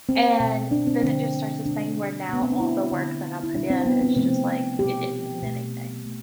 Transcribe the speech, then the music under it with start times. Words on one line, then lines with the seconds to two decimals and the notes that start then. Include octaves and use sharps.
and then it just starts this thing where now all the work that I put in is just, like, it didn't mean anything.
0.09 C4
0.40 B2 G3
0.71 D4
0.87 C4
1.03 D3 F3 A3 C4
1.66 B2 A3 D4
2.28 B2 A3 B3
2.42 C4
2.52 D4
2.60 E4
2.92 D3 G3
3.43 E4
3.54 B2 G3 D4
3.70 C4
3.86 B3
4.01 C4
4.16 C3 F3 A3 C4
4.79 B2 G3 G4
5.42 B2 A3
6.06 A3